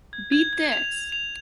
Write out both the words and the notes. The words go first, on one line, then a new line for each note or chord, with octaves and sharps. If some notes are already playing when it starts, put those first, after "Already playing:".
Beat This!
G#6
G#6
G#6
F7
F7
F7